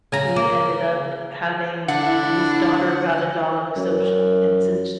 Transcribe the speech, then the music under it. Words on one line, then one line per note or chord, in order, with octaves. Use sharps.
we ended up having his daughter got a dog, so sh and since
C#3 G#5 A#5
A#3
D3 D4 E4 F#5
F#2